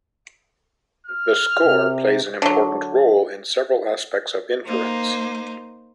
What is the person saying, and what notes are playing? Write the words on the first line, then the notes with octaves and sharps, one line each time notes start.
The score plays an important role in several aspects of inference.
F6
C3
D3 F#3
A#3 D#4 C5